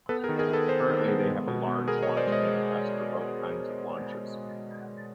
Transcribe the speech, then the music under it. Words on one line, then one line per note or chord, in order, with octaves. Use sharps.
Currently, they have a large launch manifest for both kinds of launches.
B3 A4 B4
G#4 A#4
D#3
G#4 A#4
B3 A4 B4
D#3 A#4 C5
D#3
B3
G#3
B2
B3
B2 G#4 A#4
C#5 D#5
B2
C5 D5
G#3
C#5 D#5